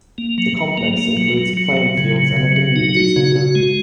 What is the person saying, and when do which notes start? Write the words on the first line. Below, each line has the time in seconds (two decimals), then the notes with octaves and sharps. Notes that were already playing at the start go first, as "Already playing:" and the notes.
The complex includes playing fields and a community center.
0.18 A#3
0.38 F#3
0.57 F#3
0.78 A#3
0.97 A#3
1.17 F#3
1.38 F#3
1.57 F#3
1.77 F#3
1.98 C#3
2.16 F#3
2.37 C#3
2.56 F#3
2.76 D#4
2.97 F#4
3.16 C#3
3.36 F#4
3.55 G#3